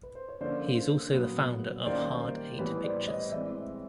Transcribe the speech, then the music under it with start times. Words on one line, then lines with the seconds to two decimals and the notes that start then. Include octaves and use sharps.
He is also the founder of Hard Eight Pictures.
0.03 B4
0.15 C5
0.29 C#5
0.41 D3 F3 A#3 C#4 C5 D5
1.14 A#2 F#3 B3
1.86 D#3 G3 A#3 C#4 C5 D5
2.59 A2 E3 G3 B3 B4 C#5
2.83 C5 D5
3.07 C#5 D#5
3.32 E3 G#3 C4 D5 E5